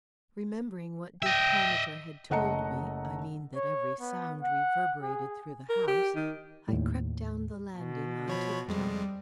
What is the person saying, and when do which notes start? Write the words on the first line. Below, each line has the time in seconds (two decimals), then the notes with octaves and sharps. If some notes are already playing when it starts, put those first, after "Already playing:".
Remembering what Dick Parmiter had told me, I mean that every sound reverberated through the house, I crept down the landing on tiptoe.
1.22 D#5 E5 G5
2.30 F#1 A3 D#5 F#5 A#5 C#7
3.56 C#5
4.00 B3
4.42 F#5
5.02 G#4
5.69 A#4
5.87 G4
6.15 D#3
6.69 D#2 A2
7.77 B2
8.28 F3 C#5 B5
8.68 F2 G3 G#3